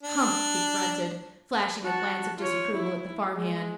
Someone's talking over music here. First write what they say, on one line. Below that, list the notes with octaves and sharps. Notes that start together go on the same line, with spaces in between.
"Humph!" he grunted, flashing a glance of disapproval at the farm-hand.
D4
F#4 A5
F4 C#5
E4
G#3